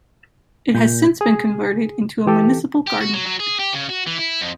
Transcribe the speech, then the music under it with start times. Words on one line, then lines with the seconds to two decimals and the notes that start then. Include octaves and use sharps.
It has since been converted into a municipal garden.
0.74 A#2 G6
1.21 G#4
2.26 E3 G4 A4
2.87 G4
3.00 F#4
3.14 F#3
3.26 F#3
3.39 G#4
3.59 G4
3.74 C#3
3.90 F#4
4.07 E3
4.19 E4
4.41 F2